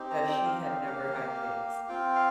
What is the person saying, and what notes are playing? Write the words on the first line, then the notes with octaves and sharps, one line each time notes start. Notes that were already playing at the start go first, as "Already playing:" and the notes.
that she had never had kids.
Already playing: C4 D#4 G4
A#5
G5
F5
F5
A#3 G4
C4 F4 G5
F5